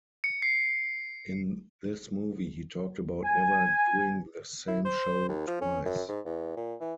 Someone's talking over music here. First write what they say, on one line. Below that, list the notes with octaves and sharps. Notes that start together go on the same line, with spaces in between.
In this movie, he talked about never doing the same show twice.
C#7
C7
G#5
E4
C5
D#2
F3
C#4
F#2
G#2
E2
A#2
E3